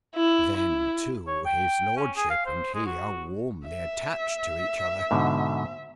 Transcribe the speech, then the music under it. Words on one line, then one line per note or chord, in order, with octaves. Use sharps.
Then, too, his lordship and he are warmly attached to each other.
E4
E4
C#5
G5
C#4
G#4
F5
C5
G#3
F#4
E5
G#2 B2 D3